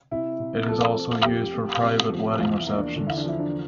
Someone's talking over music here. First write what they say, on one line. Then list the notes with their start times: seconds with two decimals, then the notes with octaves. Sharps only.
It is also used for private wedding receptions.
0.11 C3 E4
0.39 C3
0.68 F3 A4
0.97 C4
1.25 F2 G4
1.54 A3
1.82 C3
2.10 F3
2.39 E2 F4
2.58 E4
2.67 A#3
2.77 D4
2.96 D3 D4
3.07 E4
3.17 D4
3.24 F3 E4
3.39 D4